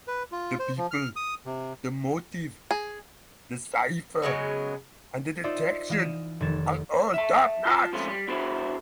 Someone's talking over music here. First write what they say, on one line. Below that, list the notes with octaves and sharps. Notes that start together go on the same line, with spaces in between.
The people, the motive, the cipher, and the detection are all topnotch.
B4
F4
C5
F3
F6
D#6
C3
G#4
C#3 F#3 G#3 B3
D#4 F4 C5 D5 E5
E3 D#5 F5 D#7 E7
F1 D#3 G#6 A6 E7
E5 A5
F4 G5 A5
G#2 C3 F3 A3 C#4 F4
G3
B3 D4 E4 F#4 G#4 C5